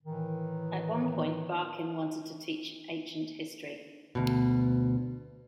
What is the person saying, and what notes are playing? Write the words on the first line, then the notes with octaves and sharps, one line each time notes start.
At one point, Barkin wanted to teach ancient history.
A2 D#3 E3
D2 B2